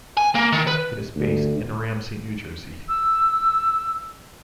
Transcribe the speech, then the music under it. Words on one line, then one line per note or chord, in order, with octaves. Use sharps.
It is based in Ramsey, New Jersey.
G#5
A#3
D#3
B4
D2
E6